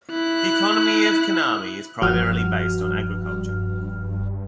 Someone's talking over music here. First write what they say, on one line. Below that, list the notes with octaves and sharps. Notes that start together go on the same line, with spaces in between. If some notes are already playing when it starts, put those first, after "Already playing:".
The economy of Kannami is primarily based on agriculture.
E4 F#6
E1 G2 F3 F#4 F6